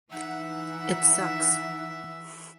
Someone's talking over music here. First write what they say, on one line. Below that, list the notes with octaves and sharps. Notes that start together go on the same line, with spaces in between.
It sucks.
E3 D#4 E5 F#5